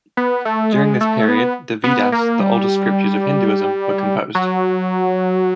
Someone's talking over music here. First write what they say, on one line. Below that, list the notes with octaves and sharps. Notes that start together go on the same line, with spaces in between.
During this period the Vedas, the oldest scriptures of Hinduism, were composed.
B3
A3
G#3
A3
B3
B3
A#3
G3
F#3